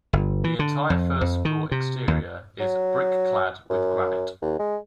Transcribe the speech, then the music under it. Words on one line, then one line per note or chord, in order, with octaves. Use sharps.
The entire first floor exterior is brick-clad with granite.
G1
E3
D3
F2
F2
D#3
C3
D#2
F#3
F#2
D#2
G#3